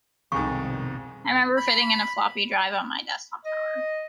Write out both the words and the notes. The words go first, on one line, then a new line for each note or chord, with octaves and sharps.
I remember fitting-in a floppy drive on my desktop tower.
C2 F2 G#2 B2 D#3 C#6
B5
D#5